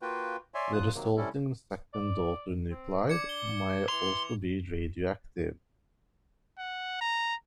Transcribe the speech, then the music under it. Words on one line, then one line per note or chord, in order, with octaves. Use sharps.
The resulting second daughter nuclide may also be radioactive.
A#3 F4 F#4 B4 G5
C#5 D5 E5 G#5 C6
E2 C#3 F4 D#6 F#6
C3 D#3 F#3 A#3
C3 G3 C#4 E4 A4
D5
C4
D4 D6 G#6 C#7
G7
E3 C6 F7
F#5
A#5